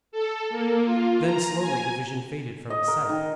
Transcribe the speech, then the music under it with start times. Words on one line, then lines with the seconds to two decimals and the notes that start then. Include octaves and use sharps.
Then slowly the vision faded from his sight.
0.12 A4
0.50 A#3
0.85 F4
1.22 A#5
1.60 G#5
2.70 D#5
2.88 A#4
3.09 D#3